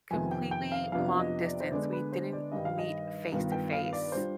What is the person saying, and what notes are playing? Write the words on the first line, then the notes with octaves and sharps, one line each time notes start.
completely long distance. We didn't meet face to face,
F2 C3 D#3 B3 F4 G#5
G5
G5
F5
F2 C3 F3 B3 D4 F5
D#5
D5
C5
D3 G#3 B3 D4 D5
B4
C5
D5
G2 D#3 G3 D#5
F5
D#5
G2 D#3 B3 F4
G5
F5
D5
G3 D4 F4 C5